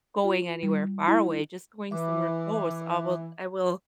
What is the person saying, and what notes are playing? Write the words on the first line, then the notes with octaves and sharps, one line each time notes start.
going anywhere far away, just going somewhere close. I will I will
F4
G3
E4
E3 E5 D6